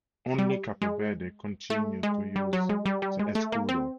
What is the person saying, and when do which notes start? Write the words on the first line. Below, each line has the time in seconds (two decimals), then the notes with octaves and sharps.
Only Cape Verde continues to use the escudo.
0.38 G3
0.82 G#3
1.70 A3
2.03 G#3
2.36 G3
2.53 F#3
2.69 G#3
2.86 G3
3.02 G3
3.19 G#3
3.35 A3
3.52 A#3
3.69 C4